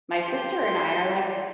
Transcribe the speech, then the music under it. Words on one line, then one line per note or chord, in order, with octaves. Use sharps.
my sister and I are, like
G4 C6